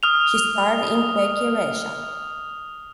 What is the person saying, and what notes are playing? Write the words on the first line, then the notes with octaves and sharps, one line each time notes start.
He starred in "Kueki Ressha".
D#6 F6 F7